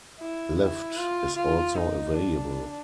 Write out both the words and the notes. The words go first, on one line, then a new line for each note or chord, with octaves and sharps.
Lift is also available.
E4
E4
F4
F4
D#4
D4